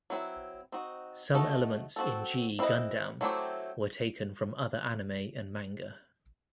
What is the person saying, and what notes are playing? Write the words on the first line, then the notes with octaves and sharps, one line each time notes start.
Some elements in "G Gundam" were taken from other anime and manga.
F#3 C4 E4 B4
C4 D#4 F#4
A3 D#4 F#4 A4 D#5
C4 F#4 A4
C4 E4 B4 D#5
F#3 A3 C4 E4 G4